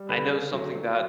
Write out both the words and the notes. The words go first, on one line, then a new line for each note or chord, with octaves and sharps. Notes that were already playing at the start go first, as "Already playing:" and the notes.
I know something that
Already playing: G3
D3 B4
D3
F#3
F#3